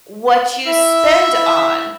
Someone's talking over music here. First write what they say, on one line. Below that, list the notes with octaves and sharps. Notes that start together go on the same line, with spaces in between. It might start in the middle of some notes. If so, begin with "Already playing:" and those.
what you spend on,
E4 E5